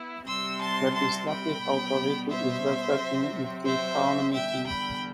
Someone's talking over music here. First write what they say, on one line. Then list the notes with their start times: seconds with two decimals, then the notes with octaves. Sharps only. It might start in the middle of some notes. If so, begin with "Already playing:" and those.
Legislative authority is vested in the Town Meeting.
Already playing: B3 E4
0.26 C3 G3 C4 C6 E6
0.60 A5 C6
0.94 A5 C6
1.28 G5 B5
1.62 B2 G3 B3
2.29 C5 E5
2.97 C3 F#3 C4
3.65 C5 E5
4.32 E2 D3 G3 E5 G5
4.66 G5 B5